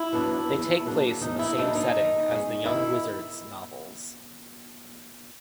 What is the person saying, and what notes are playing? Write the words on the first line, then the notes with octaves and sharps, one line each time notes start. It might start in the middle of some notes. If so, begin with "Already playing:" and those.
They take place in the same setting as the Young Wizards novels.
Already playing: E4
F#3 B3 D4
E2
C#3 F#3 A#3 D4
E2 D#4
E4
C#3 F#3 A#3 D4 D#4
D#4
D#3
G#3 C#4
D#3 E4